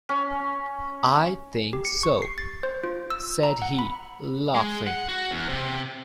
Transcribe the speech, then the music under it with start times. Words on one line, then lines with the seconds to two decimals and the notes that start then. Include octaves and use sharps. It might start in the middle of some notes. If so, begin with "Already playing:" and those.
"I think so," said he, laughing.
0.09 C#4
1.73 G4
1.85 C#7
2.03 C#6
2.22 C7
2.38 A6
2.63 C5
2.84 F4
3.10 E6
3.43 A#5
3.62 F#5
3.79 B5
4.55 G#3
4.87 F#5
5.09 F#4
5.31 E2
5.49 C3